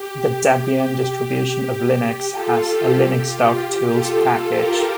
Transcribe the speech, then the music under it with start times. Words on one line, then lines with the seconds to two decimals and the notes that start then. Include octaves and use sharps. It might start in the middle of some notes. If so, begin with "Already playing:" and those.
The Debian distribution of Linux has a linuxdoc-tools package.
Already playing: G4
0.48 G4
0.79 G4
1.41 G4
1.72 G4
2.33 F4 A4
2.64 G4
2.96 G4
3.27 F4
3.58 G4
3.88 F4 A4
4.50 G4 A#4